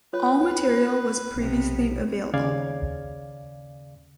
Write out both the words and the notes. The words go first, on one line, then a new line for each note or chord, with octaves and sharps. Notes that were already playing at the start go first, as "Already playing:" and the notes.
All material was previously available.
F4 B4 C#5
B1 C3 B3
D#2 C#3 D5 F5 G#6